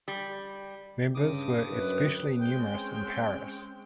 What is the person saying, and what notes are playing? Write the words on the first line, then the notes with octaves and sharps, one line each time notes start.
Members were especially numerous in Paris.
G3
G2 C#3 D6 D#6
F#2 B4
G#3 C4 C#4 G5